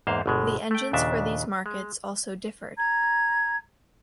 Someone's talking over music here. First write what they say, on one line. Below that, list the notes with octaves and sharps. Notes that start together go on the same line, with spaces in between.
The engines for these markets also differed.
E2 G#2 A#3 C5 F5
G1 B2 G#3
A3 G5
D#2 A#2 C#3 D4 E5
G#3
A#5 G#6